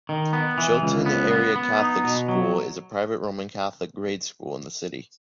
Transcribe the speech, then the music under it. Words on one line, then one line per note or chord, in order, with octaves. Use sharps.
Chilton Area Catholic School is a private Roman Catholic grade school in the city.
D#3
B3
E3
C#2
B3
B3
B3
D#4
B2
F#3